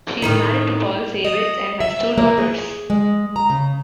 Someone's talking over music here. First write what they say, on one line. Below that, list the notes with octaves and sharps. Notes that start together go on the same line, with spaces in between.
She is married to Paul Sayvetz, and has two daughters.
A2 D#3 D#4
D#5
E5
A#3
G#4
G#3
A#5
C#3